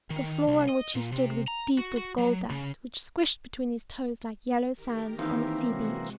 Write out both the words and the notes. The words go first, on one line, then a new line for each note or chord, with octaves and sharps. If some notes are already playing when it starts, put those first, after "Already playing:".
The floor on which he stood was deep with gold dust, which squished between his toes like yellow sand on a sea beach.
D#3
C2
D#5
A#2
C3
A#5
F#4
F#4
F#3
C#3
D#3 G4 A#4
A2 E3 A#3 C4 D#4 F5
F#2 C3 G#3 F#4